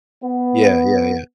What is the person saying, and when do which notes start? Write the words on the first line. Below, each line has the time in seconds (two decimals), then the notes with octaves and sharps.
Yeah, yeah, yeah.
0.23 B3